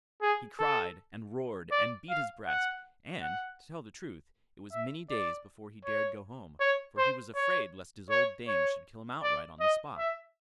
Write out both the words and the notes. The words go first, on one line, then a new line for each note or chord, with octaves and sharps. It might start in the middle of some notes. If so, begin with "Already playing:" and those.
He cried and roared and beat his breast, and, to tell the truth, it was many days before he dared go home; for he was afraid lest his old dame should kill him outright on the spot.
G#4
A4
D5
F5
F#5
F#5
E5
D5
C#5
C#5
C5
C#5
C#5
C#5
D5
D#5
E5